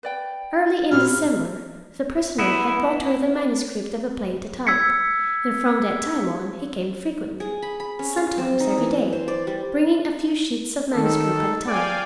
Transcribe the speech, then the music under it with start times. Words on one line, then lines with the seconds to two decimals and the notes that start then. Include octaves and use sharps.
Early in December the prisoner had brought her the manuscript of a play to type, and from that time on he came frequently, sometimes every day, bringing a few sheets of manuscript at a time.
0.03 B4 D5 G5
0.91 A#2 C#4 E4 F#4 G4 F6
2.39 B3 E4
4.67 E6 G#6 B6 C#7
7.40 G#4
7.62 B5
7.80 B5
7.99 C#4
8.17 F5
8.38 C4
8.60 D#4
8.78 E3
9.13 C5
9.28 D5
9.47 G3
10.94 D#3 A4
11.67 D5 F5 G5 G#5